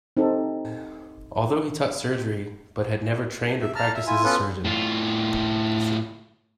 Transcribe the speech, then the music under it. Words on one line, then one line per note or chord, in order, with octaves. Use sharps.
Although he taught surgery but had never trained or practised as a surgeon.
C4 D#4 G4 A4
E5
A5 A#5 F6
E5
E4 F4 G#5
B3 C#4 F4 A4 B4
A2 F4